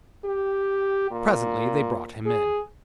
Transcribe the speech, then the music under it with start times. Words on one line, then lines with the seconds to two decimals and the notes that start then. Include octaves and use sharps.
Presently they brought him in.
0.25 G4
1.11 A#2
2.26 G#4